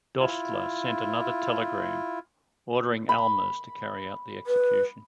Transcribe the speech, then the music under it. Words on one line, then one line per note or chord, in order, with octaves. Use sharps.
Dostler sent another telegram ordering Almers to carry out the execution.
E4 F4
B5
B4